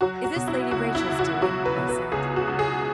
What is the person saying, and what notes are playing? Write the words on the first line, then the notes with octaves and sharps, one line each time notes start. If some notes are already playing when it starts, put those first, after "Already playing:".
"Is this Lady Rachel's doing?" I said.
F#3 F#4
F#4
B2
E4
C#2 F#4
E4
C#2
F#4
F#3 F#4
B4
B2
B4
C#2 G#4
F#4
C#2
G#4